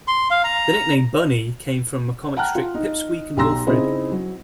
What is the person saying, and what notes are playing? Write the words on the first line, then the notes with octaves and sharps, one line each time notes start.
The nickname "Bunny" came from a comic strip, "Pip, Squeak and Wilfred".
C6
F5
A#5
F#5 G5 A5 A#5 F6 F#6
F4
D#4
B1 G4 A#5 C6 E6 A#6
C#3 C4 D#4 E4 G#4 C5
F#3